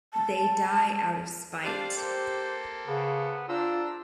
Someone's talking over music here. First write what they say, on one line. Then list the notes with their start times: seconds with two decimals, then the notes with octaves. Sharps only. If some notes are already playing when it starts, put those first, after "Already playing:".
They die out of spite.
0.14 A5
1.64 D4 G4 C5 D5 F5
1.97 A#3 C4 A4 C5
2.87 C#3 B3
3.49 D4 F4 C5 A#5 E6